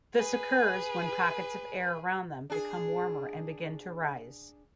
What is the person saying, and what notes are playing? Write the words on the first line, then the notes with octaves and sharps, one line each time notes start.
This occurs when pockets of air around them become warmer and begin to rise.
G#4 B4
D4 G#4